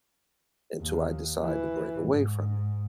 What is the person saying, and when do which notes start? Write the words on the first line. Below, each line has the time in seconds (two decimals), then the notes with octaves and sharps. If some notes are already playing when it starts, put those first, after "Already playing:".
until I decide to break away from it.
0.81 D#2
1.41 E3
2.09 G#2